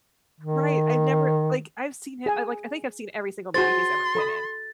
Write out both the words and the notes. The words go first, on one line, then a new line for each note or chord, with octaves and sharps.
Right, I've never like, I've seen I like, I think I've seen every single movie he's ever been in
D#3
G#4 G#5
F#4 G#4 C5 C6 A6
A4 B5 D#6